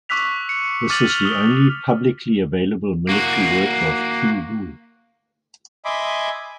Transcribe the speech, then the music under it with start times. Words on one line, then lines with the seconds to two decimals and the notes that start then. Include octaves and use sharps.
This is the only publicly available military work of Qu Wu.
0.09 C#6 D6 E6 F#6 B6 F7
0.49 C#7
0.90 D6 F6 A6 D#7 F7 F#7
1.09 F6 F7 G7
1.25 D#6 G7
3.09 A#3 F#4
5.85 D#5 E5 G#5 B5 C6 D6